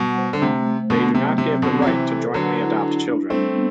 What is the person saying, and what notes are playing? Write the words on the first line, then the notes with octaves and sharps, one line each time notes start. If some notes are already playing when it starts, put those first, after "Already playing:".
They do not give the right to jointly adopt children.
Already playing: B2 G3 F#5
C5
D3
C3 A3
A3
B2 D3 B3
C3 F#3
C3 C4
B2 D3 G4
F#3
C3 E3 C5
A4
D3 F#3 B4
E4
D4
D4
G3 A3 C4
B3